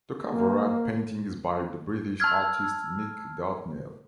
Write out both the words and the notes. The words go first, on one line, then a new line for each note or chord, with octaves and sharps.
The cover art painting is by the British artist Nic Dartnell.
A#3
A5 E6 F6 G#6